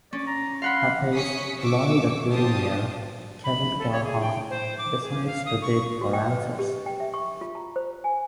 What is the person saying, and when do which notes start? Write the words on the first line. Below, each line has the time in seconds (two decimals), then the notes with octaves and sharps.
Pappas' loyal deputy mayor, Kevin Calhoun, decides to dig for answers.
0.13 C#4 D5
0.27 A#5
0.62 F5 F#5 B5 C6
1.13 C#4 D#6 B6 C#7
1.59 C#6 D6 E6
2.30 F4 G4 C5 A5 D#6
3.44 B5
3.79 A4
3.92 C#5
4.04 G#4
4.21 G5
4.50 C5
4.78 D6
5.02 G#4
5.27 F5
5.46 D#6
5.62 C#6
6.01 F#4
6.13 G5
6.31 B4
6.43 D#5
6.59 G4
6.86 G5
7.00 E5
7.14 C#6
7.41 F4
7.55 A#5
7.76 C5
8.04 G#5